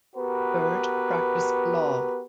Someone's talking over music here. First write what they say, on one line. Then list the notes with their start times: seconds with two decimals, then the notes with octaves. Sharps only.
Bird practiced law.
0.16 B3 F#4 G4 A#4 B4